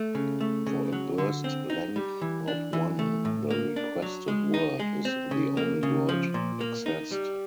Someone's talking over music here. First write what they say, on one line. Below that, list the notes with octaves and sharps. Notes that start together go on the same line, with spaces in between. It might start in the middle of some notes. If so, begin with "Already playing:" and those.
For a burst length of one, the requested word is the only word accessed.
Already playing: A3
C#3
A3
C#3
F#3
D3
C4
D#4
G3
E3
D4
E3
A3
A2
A#3
D4
F#3
G#3
D#4
G#3
C4
C#3
A#3
C#3
F3
A#2
A#3
D#4
G3